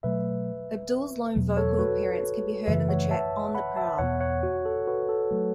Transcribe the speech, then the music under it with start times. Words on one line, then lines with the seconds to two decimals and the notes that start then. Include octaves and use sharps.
Abdul's lone vocal appearance can be heard in the track On the Prowl.
0.03 B2 F#3 A3 B4 E5
1.36 E2 B2 F#3
1.57 A4 C#5
1.79 F#4 B4
2.67 F#2 C#3 E3 A3 B4 E5
2.89 C#5 F#5
3.11 E5 A5
3.55 F#5 B5
3.76 E5 A5
3.98 E2 B2 B3 C#5 F#5
4.20 C#5 F#5
4.43 F#4
4.65 A4
4.87 F#4 B4
5.09 A4
5.31 F#3 A3